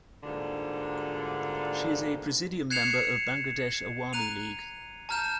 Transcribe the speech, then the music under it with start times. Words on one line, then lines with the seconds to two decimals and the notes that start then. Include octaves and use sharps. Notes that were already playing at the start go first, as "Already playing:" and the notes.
She is a presidium member of Bangladesh Awami League.
0.23 G#2 B2 D3 G3 A#3 F4
2.70 F#6 G#6 C7 C#7 E7 F7
4.13 A#5 F#6 D#7 F7
5.09 A5 A#5 F6 G6 E7